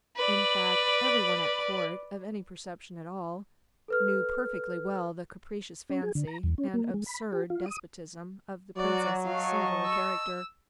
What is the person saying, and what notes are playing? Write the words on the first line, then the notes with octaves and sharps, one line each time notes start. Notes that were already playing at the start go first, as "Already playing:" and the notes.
In fact, every one at court, of any perception at all, knew perfectly well the capricious fancy and absurd despotism of the princess's singular character.
B4 D5
A4 B4 F6
C#4
G#4
D3
A#5
E2
C#4
A#3
G#3
B5
G4
F4
D#6
F#3 F#4 D5
D#5 F5 A5 C#6
E6